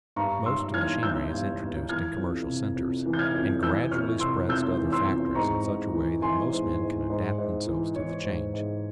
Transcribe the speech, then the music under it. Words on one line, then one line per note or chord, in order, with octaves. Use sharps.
Most machinery is introduced in commercial centers, and gradually spreads to other factories in such a way that most men can adapt themselves to the change.
G2 A#5 C#6
G2 C6 E6
E3 F6 G#6
E3 E6 G6
G2
G2
E3 F6 G#6
F2
C3
F2
E3
G6
F6 G#6
F2
E3 E6 G6
F2 C#6 F6
C3 C6 E6
F2 E6 G6
E3
C6 E6
F2
G#2 A#5 C#6
G#2
E3
E3 G#5 C6
G#2
G#2
G#2
G#2
E3
E3 C#5
G#2
G#2